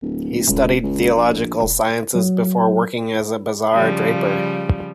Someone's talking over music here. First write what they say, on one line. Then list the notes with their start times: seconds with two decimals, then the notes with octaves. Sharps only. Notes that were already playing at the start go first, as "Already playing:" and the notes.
He studied theological sciences before working as a bazaar draper.
0.02 D1
0.48 D#1 C#2
0.83 C#2
1.16 A#1
1.61 E1
2.15 F#3
3.74 C#3 F3 G3